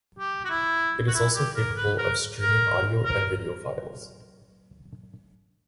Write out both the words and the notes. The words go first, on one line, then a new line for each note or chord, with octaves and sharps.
It is also capable of streaming audio and video files.
G4
F#4
E4
F#4
E4
G4
A#4
B4
A#4
A#4
A#4